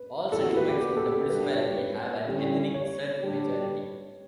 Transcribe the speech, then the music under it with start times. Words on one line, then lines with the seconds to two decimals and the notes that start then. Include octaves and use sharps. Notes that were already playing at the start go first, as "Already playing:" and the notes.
All settlements in the municipality have an ethnic Serb majority.
Already playing: B4
0.32 A2 E3 B3 E4 G4 A4
0.43 F#4
0.57 B4
0.68 G4
0.81 G4
0.97 A4
1.12 A4
1.29 B2 G3 D4 G4 B4
1.53 C#5
1.77 B4
2.26 D3 G3 C#4 E4 G4
2.74 C#5
3.23 D3 G3 D4 G4